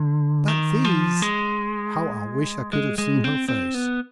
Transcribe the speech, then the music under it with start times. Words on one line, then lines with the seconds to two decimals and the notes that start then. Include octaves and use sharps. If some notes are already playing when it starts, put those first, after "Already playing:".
"But these--" How I wish I could have seen her face!
Already playing: D3
0.48 D#3
0.84 F3
1.22 G#3
2.73 G#3
2.98 G#3
3.24 C4
3.49 C4
3.74 B3